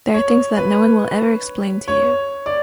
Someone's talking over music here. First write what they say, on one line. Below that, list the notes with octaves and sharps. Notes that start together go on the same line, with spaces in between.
There are things that no one will ever explain you.
C#5
B4
C#5
D5